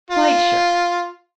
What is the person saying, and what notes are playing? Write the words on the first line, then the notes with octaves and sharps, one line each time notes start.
'Quite sure.
F4